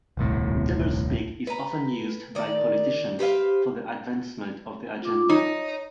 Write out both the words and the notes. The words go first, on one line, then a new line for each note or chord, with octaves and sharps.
Doublespeak is often used by politicians for the advancement of their agenda.
D#1 C2 A2
B4 A#5
D#3 D5
G4 B4 C5 F5
F4 D6
D#4 C#5